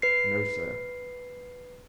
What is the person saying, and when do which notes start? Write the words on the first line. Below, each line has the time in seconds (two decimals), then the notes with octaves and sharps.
No, sir.
0.02 B4 C7